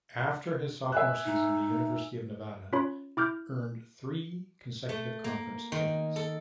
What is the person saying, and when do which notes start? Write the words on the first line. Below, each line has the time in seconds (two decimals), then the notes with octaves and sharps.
After his sophomore season, the University of Nevada earned three consecutive conference titles.
0.92 E5 G#5 F#6
1.25 D#4
2.73 C#4 F4 C#5 B5
3.17 E4 D6 F6 G6
4.89 A3
5.24 A#3
5.72 D#3
6.16 A4